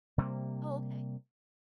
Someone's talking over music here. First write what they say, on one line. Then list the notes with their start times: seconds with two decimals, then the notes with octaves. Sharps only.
Oh, okay,
0.18 C3 G3 G#3 A#3